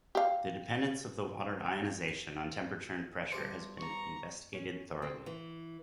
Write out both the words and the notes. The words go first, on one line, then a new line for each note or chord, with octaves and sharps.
The dependence of the water ionization on temperature and pressure has been investigated thoroughly.
G4 F5
G2 G4 C5
A#5 C#6
C#4
C4
E3